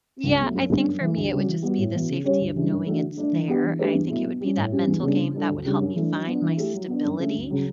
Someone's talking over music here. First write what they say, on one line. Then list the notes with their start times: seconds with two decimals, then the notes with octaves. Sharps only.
Yeah, I think for me it would just be the safety of knowing it's there and I think it would be that mental game that would help me find my stability,
0.23 C#2
0.39 B2 F#3 A3
0.54 F#2
0.70 D3 G3 B3 D4
0.85 F#2
1.01 E3 A3
1.16 D2
1.31 C#3 G3 C#4 F#4
1.47 E3
1.62 G3 B3 F#4
1.77 A2
1.93 E3 B3 F#4
2.09 C#3
2.24 G3 C#4 G4 C#5
2.40 D2
2.55 C#3 E3 G3 D4
2.71 F#2
2.86 E3 A3 D4 F#4
3.02 D3
3.17 A3 D4
3.32 E3
3.48 B3 D4 G4
3.63 E3
3.79 A3 D4 G4 B4
3.94 E2
4.10 B2 F#3 A3 E4
4.25 B2
4.41 G3 C#4
4.56 A2
4.71 G3 C#4 G4
4.87 E2
5.02 C#3 G3 B3 D4
5.17 C#3
5.33 G3 D4 A4
5.49 D2
5.65 C#3 G3 D4 G4
5.80 F#2
5.95 E3 A3 D4
6.11 F#3
6.26 B3 D4
6.42 E3
6.57 A3 E4 G4
6.73 F#3
6.88 B3 D4
7.04 F#2
7.19 D3 A3 C#4
7.34 D2
7.50 C#3 F#3